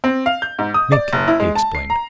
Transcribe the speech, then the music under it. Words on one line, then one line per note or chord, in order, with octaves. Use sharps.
"Mink!" he explained.
C4
F5
G6
G#2
D#6
D5
F#1
E4
G#3
A5
C7
A#5